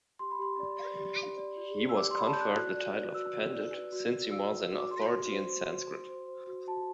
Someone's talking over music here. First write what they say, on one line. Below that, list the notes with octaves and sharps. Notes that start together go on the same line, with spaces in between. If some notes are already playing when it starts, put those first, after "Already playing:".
He was conferred the title of Pandit since he was an authority in Sanskrit.
G4 C6
B5
G4 C6
D5
D5
G4
G4
D5
D5
G4
E6
G4 D6
C6
D5 B5
A5
G6
D5 F#6
F#4 F#6
D5
B4
F#4 E6
F#4
D5
B4
F#4
F#4
D5 E6
B4
F#4
D6
F#4 C6
F#4
C5
C5
F#4
F#4
C5
C5
F#4
F#4 A5